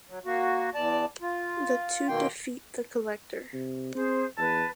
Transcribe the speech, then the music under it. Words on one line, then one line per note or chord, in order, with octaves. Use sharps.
The two defeat The Collector.
F#3
A#3 F#4
E2 D5 A5
F4
B2 D#3 A#3 G5 C6
C3
C4 G#4 C5
E2 B4 A5